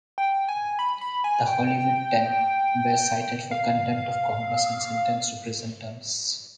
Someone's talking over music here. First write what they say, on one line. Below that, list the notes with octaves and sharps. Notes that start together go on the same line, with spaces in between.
The "Hollywood Ten" were cited for contempt of Congress and sentenced to prison terms.
G5
G#5
B5
B5
G#5
G5
F5